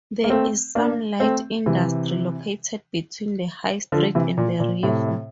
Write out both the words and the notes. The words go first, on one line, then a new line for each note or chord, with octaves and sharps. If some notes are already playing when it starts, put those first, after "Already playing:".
There is some light industry located between the high street and the river.
A#3
A3 C4
A#3 D4
A3 C4
C3 E3
D3 F3
C3 E3
A#2
A#2
A2 C3